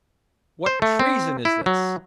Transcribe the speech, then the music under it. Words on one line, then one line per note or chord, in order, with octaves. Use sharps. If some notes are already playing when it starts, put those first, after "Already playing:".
"What treason is this?"
C5
A3
C4
E4
F#3